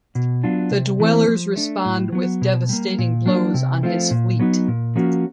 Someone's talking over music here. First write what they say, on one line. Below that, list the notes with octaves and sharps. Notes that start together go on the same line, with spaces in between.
The Dwellers respond with devastating blows on his fleet.
B2
F#3 B3 D4 F4
C3
E3 A3 C4
F3
A3 D4
A2
F#3 B3
B2
G3 A#3
A#2
F#3 A#3 D4
C3
F3 A3 C4 F4
A#2
F#3 B3 D#4
A#2
F3 A#3 C#4 F#4